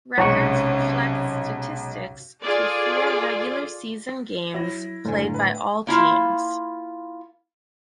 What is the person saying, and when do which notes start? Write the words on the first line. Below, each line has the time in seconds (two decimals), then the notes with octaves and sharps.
Records reflect statistics through four regular season games played by all teams.
0.18 B1 C3 G#3 C#4 C#5 F#5 C#6
2.42 F4 G#4 A4 D5
4.54 F#3 E4 A#6
5.05 F#1 A2 D3 G#5
5.34 B4
5.87 A#3 E4 F4